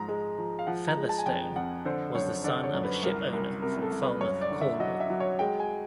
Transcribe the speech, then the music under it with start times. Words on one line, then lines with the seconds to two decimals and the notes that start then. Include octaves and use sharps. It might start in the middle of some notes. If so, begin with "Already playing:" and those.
Featherstone was the son of a ship owner from Falmouth, Cornwall.
Already playing: G#2 F3 A#5
0.08 G#3
0.38 F3
0.59 F5
0.67 F3 F#5
0.88 A#5
0.97 G#3
1.09 A5
1.19 G#5
1.26 F2 G5
1.56 F2 F#5
1.85 D3 C5
2.15 F#2 C#5
2.44 D3 D5
2.63 C#5
2.74 F#2
2.83 B4
3.03 C2 A#4
3.33 C2 A#4
3.62 C3 A#4
3.82 A4
3.92 C2
4.02 B4
4.21 F#2 C#5
4.41 D5
4.51 D3
4.61 E5
4.80 F#3 D#5
5.00 E5
5.10 F#3
5.20 C#5
5.39 G#3 G5
5.60 G#5